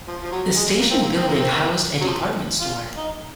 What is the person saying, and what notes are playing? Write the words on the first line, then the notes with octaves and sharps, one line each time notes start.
The station building housed a department store.
F3
F3
F#3
G#3
A#3
C4
A#3
C4
A#3
C4
A#3
F#3
F3
F4
D#4